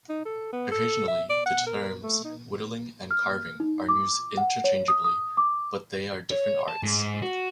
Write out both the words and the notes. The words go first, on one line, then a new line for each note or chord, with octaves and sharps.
Occasionally the terms "whittling" and "carving" are used interchangeably, but they are different arts.
D#4
A4
B3
A4
E5
D5
F#5
A#4
A3
D#4
F6
D#4
D6
F#5
C#5
D#6
D#6
D6
C#5
A5
G#2
F#4